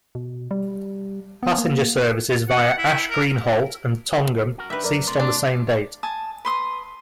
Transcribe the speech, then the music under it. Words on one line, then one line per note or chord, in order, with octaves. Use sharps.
Passenger services via Ash Green Halt and Tongham ceased on the same date.
B2
G3
B3
A#3
F#5
E4
A#4
F#4 A#4
D4 D#4 G4 B4 E5
F#2 A#4 D5
C3 A3 D5 C6
D4
G#5 A5 D#6
B4 C6 D#6